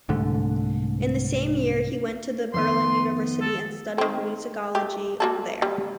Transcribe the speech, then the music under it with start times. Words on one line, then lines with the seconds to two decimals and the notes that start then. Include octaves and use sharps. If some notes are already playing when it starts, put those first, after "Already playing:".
In the same year he went to the Berlin University and studied musicology there.
0.09 C2 G#2 D3 A3
2.54 F2 D#3 B3 C6
3.41 A4
3.98 D#3 C4
4.75 A3 G4
5.20 A#3 F#4 A4
5.62 G3